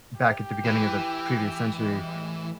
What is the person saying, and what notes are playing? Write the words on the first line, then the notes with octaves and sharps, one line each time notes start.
back at the beginning of the previous century,
G4 G5
E3
B2 G3 G#3
A2